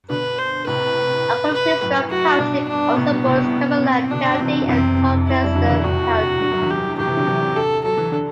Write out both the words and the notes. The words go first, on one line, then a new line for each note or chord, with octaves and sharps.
Upper Pittsgrove Township also borders Cumberland County and Gloucester County.
B2 D3 B4
C5
A2 C3 B4
B4
F#2 A2
F#4
G2 B2 D4
D4
A2 C3 B3
G2 B2
A2 C3
C4
B2 D3 D4
C3 E3 C4
C3 E3 C4
E4
G3
D3 F#3
E3
B2 D3
A2 C3 F#4
G2
F#2
E2
F#2 G4
F#2 A2 G4
C3 E3
D3 F#3
C3 E3
A4
F#3 A4
E3
D3